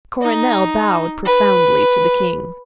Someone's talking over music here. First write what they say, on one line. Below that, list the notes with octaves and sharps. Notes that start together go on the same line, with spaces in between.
Coronel bowed profoundly to the King.
D#4
B4